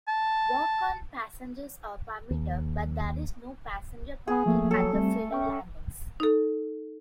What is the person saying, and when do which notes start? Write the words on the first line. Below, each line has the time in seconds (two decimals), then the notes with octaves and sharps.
Walk-on passengers are permitted, but there is no passenger parking at the ferry landings.
0.08 A5
2.31 D#2
4.28 B3 G#4
4.46 F3 A3 A#3
4.71 F#3 A4
4.93 G3 A3 C4
5.31 C#4 E5 G5 C#6
6.20 D#4 A4